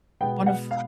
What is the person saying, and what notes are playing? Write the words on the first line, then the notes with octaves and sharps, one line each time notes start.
One of
B2 G#3 B3 G5
F#5
F5